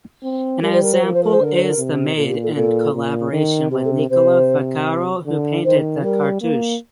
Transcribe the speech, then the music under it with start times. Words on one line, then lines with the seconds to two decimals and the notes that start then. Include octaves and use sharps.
An example is the made in collaboration with Nicola Vaccaro who painted the cartouche.
0.23 C4
0.62 G3 A#4
0.73 C5
0.83 A#4
0.93 C5
1.01 F3 A#4
1.13 C5
1.23 A#4
1.33 C5
1.39 D3 A#4
1.54 C5
1.64 A#4
1.78 C3
2.16 A#2 A4
2.29 G4
2.43 A4
2.55 A#2 A4
2.94 A#2
3.32 D#3
3.71 C3 G4
3.84 A4
3.97 A#4
4.10 C3 C5
5.25 D3
5.64 D#3 C5
6.02 G3 A#4
6.42 A#3